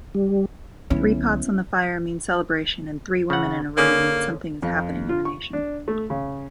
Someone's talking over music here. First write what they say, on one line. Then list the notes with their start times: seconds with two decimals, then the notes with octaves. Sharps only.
Three pots on the fire mean celebration, and three women in a room mean something is happening in the nation.
0.15 G3
0.90 C2 D3 F#3 B3 C#4 E4
3.30 C#3 F#5
3.77 D3 A#3 C#4 G#4
4.62 F2
5.09 F4
5.25 C#6
5.53 D4
5.88 A3
6.10 C#3